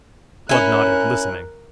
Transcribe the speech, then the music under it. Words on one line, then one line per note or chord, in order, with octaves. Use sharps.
Blood nodded, listening.
C#4 E4 A#4 F#6